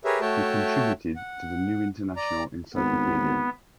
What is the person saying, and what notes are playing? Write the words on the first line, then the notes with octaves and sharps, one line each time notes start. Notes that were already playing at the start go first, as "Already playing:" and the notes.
He contributed to the New International Encyclopedia.
G4 G#4 A#4 B4 C#5 E5
A3 F#4 C#5 E5 G5 A5
F#5
D5 A#5
G#1 B3